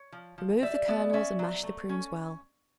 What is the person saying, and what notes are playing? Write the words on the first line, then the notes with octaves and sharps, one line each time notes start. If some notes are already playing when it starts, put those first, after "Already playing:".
Remove the kernels and mash the prunes well.
Already playing: C#5
F3
F3
G3 D5 E5
B3 D5 E5
C#4 D5 E5
F#3
A3
C#4